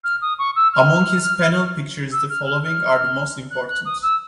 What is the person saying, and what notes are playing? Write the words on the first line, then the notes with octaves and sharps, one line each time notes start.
Among his panel pictures the following are the most important.
F6
D#6
C#6
E6
F6
E6
F6
F6
F6
F#6
F#6
D#6
E6